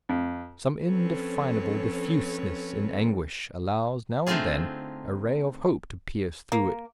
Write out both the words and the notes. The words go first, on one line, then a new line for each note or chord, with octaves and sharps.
Some indefinable diffuseness in anguish allows now and then a ray of hope to pierce through it.
F2
F3 C4 C#4 A4 B4 C#5
D3 A3 C4 D#4 F4 G#4
A#3